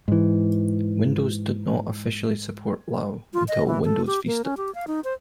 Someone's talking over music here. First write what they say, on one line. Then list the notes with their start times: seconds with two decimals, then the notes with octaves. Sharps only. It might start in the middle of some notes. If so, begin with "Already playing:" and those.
Windows did not officially support Lao until Windows Vista.
0.08 G#2 E3
3.34 F4
3.48 D#5
3.67 E3
3.85 A4
4.07 G4
4.27 A#3
4.44 C#4
4.57 G4
4.75 F5
4.87 D#4
5.04 C5